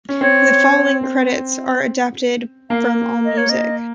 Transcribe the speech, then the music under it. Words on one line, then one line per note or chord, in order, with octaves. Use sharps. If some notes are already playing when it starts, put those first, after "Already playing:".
The following credits are adapted from AllMusic.
C#4
C4 C#5
C4
A#3 F5
D#5
C#5
D#5